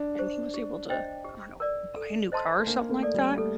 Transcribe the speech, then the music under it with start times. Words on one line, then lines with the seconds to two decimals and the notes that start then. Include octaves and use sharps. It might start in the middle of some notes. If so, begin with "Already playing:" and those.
and he was able to I don't know, buy a new car or something like that,
Already playing: D4
0.19 G4 C5
0.54 G4
0.90 C5 D#5 G5
1.24 G4
1.60 A#4 D5
1.96 A4
2.32 C5 D#5 A5 C6
2.60 A3
2.67 A#3 D4
2.90 A3
3.03 A4 D5
3.14 G3
3.38 A3 A4